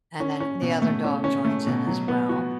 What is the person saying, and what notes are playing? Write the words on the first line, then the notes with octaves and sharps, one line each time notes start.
and then the other dog joins in as well.
C#4
C#4
B2
A3
C#4
C#4
A3
B2
F#3
B3
F#4